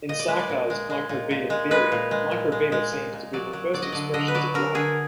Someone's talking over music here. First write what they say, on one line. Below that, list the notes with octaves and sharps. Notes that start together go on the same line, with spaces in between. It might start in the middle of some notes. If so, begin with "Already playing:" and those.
In Sarkar's "microvita theory" "microvita" seems to be the first expressions of life.
A#2 D#5
D5
G#3 B4
D5
A#2
G#3
G#3
A#2
A#2
G#3
G#3 B4
A#2
G#3
A#2
G#3
G#3
A#2
A#2
F#3 D5
F#3
F#3 D5
D#5
D3 D5
D3 D#5
B4
F#3 D5
D3 A#4
D3 G#4